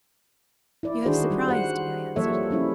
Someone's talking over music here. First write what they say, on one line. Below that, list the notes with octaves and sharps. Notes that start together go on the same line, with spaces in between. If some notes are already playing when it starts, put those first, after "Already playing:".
"You have surprised me," I answered.
E4 D5
D#3 D4 F#4 G#4 C5
G3
C5 F#5
F3 G3 A#3 A4 C#5 E5
G3 C#4 E4